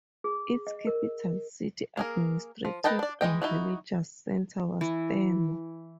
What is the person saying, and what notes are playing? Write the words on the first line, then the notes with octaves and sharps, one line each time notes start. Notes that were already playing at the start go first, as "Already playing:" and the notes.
Its capital city, administrative and religious center was Thermo.
G#4
D#5
A#4
A#3 G#4 A#4
F3
A#4 B4 D#5 G5 A5
D4 D5
E3 G#3 D#5 G5
D#4 E4 F#4
E3